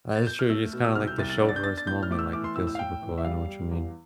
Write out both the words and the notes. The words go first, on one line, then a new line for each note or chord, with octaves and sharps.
That is true, you just kinda, like, the show verse moment, like, it feels super cool, I know what you mean.
A6
G6
F6
A3 E6
B2
E6
C2 F6
G6
C2 A6
A6
D4
A6
G6
D4 A6
A6
A2 G6
F6
A3 D6
E6
E3 D6
C6
A2 E6
E6
F5
A2 G5
E3
E5
G3 F5
G3
E2